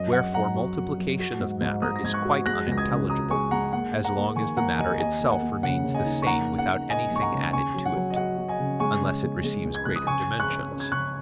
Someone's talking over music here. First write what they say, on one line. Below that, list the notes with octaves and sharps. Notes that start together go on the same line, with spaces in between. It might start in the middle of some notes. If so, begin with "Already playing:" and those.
Wherefore multiplication of matter is quite unintelligible, as long as the matter itself remains the same without anything added to it; unless it receives greater dimensions.
Already playing: F#2 D#5
F#3 F#5
F#3 F#5 A#5
F#4
F#2
F#3
F#4
G#2
G#2
G#2 A#5 D#6
A#6
G#2 G#6
C#6 F#6
F#4
G#3 F#6 A#6
C#2 A#6
D#6 G#6
C#3
F#4 A#5 D#6
G#3 G#5 C#6
G#3 F#5 A#5
A#3 F#5
A#3
F#5 A#5
A#3
D#3 G#5 C#6
A#3 F#5 A#5
D#2 D#5 G#5
A#3 D#5 G#5
A#3
F#5
A#3
C#3 F#5
C#3
D#5 G#5
D#4
C#6
A#3 F#5 A#5
C#3
F#5
A#3
A#3 D#5 G#5
C#2 C#6
F#5 A#5
C#3
C#3 G#5 C#6
F#3
F#5
F#3
D#5
F#4 F#5
F#3
D#5 G#5
C#3
G#3 G#5 C#6
C#3
G#3
G#3
C#2
G#6
C#2 F#6
D#6
C#3 G#5 C#6
C#3
C#6 F#6
C#4
C#4
G#6
C#3 C#6 F#6